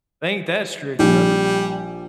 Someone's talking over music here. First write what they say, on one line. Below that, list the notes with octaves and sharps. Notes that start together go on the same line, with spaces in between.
they ain't that strict, bro.
A#1 G3